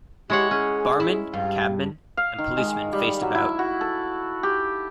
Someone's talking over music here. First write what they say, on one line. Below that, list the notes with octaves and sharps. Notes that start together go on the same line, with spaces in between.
Barman, cabman, and policeman faced about.
G#3 E4 G4 C#5 F#5
C#4 G#4
E4
G2 F5
F5
D#3
G#3
G3
F#3
E4
F#4
A4
G4